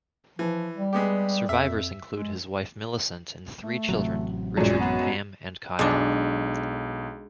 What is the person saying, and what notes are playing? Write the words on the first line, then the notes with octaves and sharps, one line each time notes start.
Survivors include his wife Millicent and three children, Richard, Pam and Kyle.
E3 F3
G3
G#3 B3 G4
F2 E5
G#3
A3
A1 C3 F#3
F#2 A#2 G#3
B3
B1 G#3 D4